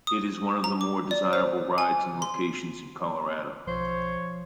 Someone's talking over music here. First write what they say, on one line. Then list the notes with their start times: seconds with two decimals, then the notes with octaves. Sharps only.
It is one of the more desirable rides and locations in Colorado.
0.07 D#6
0.64 A#5
0.81 D6
1.11 D5
1.33 C5
1.78 G#5
2.22 C6
3.67 B1 F3 C5 C#5